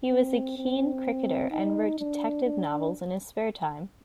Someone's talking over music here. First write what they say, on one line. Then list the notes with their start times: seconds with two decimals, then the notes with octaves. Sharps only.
He was a keen cricketer and wrote detective novels in his spare time.
0.11 C4
0.58 C4
1.51 D#4
1.99 D4
2.45 D4